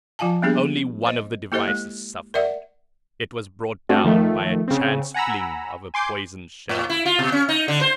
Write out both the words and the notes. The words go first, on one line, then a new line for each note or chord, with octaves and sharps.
Only one of the devices suffered; it was brought down by a chance fling of a poison shell.
F3 F4 F5 G#5 A5
G3 A#3 B3 D4 G4 G#4
C5 D#5
A#3 E4 G4 A4 C5 D#5
G#3
A#4 D5 E5 F#5
A3 C4 D4 F#4 A4
D#3 F3 A3
C#3 C4
F#5 G#5 A#5 B5 E6
G#5 C6 D6 G6
A2
E4
F4
B2
C#4
D#4
D3
C5